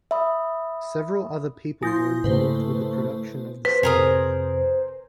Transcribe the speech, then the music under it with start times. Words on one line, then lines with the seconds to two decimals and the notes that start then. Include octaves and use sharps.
Several other people were involved with the production of the ceremony.
0.11 E5 B5 D#6
1.83 F3 E4 G#5 C6 D#6 G6 A#6
2.24 G#2 C#3 A3 A#3 B4 C5
3.65 B4 C5
3.83 F2 C3 G#4 A#4 D#6